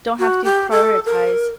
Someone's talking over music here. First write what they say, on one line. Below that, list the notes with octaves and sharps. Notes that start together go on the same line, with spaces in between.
don't have to prioritize.
F#4
G4
A4
A#4